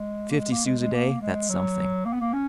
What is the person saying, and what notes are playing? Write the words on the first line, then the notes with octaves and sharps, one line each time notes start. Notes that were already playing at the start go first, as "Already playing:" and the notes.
Fifty sous a day, that's something.
Already playing: G#3
A#3
G#3
A#3
G#3
G#3
A#3
G#3
F#3
A#3
B3
A#3
C#4